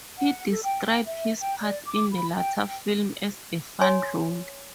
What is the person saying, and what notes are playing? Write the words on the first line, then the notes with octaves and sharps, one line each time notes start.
He described his part in the latter film as a "fun role".
F#5
A4
G5
G5
E5
G5
D5
D6
B5
G5
G5
C#5 G#5 C6